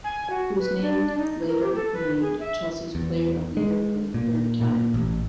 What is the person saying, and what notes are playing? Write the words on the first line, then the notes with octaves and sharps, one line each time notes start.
He was named later named Chelsea's Player of the Year for the third time.
G#5
F#4
B4
D4
D4
D#4
A#4
G4
A4
B4
G#4
E5
E2
G#3
A#2
A#2
A1